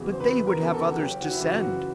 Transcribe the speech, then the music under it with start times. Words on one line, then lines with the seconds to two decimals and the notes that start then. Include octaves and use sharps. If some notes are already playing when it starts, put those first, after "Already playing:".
But they would have others to send.
Already playing: E1 E2 C#3 E3
0.12 C5
0.20 E1 B4
0.47 A#4
0.60 E2 C#3 E3
0.74 A4
0.91 F#4
1.00 F#1 G4
1.21 F#4
1.31 E4
1.40 F#2 C#3 E3 F4
1.61 F#4